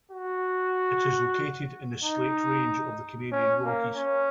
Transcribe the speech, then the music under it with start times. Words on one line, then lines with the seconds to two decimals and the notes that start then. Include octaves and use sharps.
It is located in the Slate Range of the Canadian Rockies.
0.11 F#4
2.04 D#4
3.32 C#4
3.64 A#3
3.96 C#4